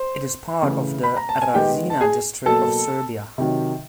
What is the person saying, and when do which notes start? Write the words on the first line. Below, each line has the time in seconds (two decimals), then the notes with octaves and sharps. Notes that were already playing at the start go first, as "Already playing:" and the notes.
It is part of the Rasina District of Serbia.
Already playing: C5 C6
0.62 C#3 E3 A3
1.03 B5
1.17 A#5
1.29 A5
1.42 G#5
1.54 D#3 G#3 B3 G4 G5
1.90 A5
2.01 G#4 G#5
2.46 B2 F#3 A#3 A4 A5
3.38 C3 D#3 F#3